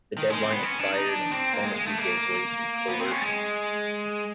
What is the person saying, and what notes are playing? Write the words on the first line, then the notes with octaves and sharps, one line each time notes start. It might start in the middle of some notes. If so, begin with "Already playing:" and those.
The deadline expired, and diplomacy gave way to coercion.
D#3
G#3
C4
B3
C#4
D4
D#4
D4
C4
A#3
G#3
G#3
A3
A#3
B3
C4
C#4
G#3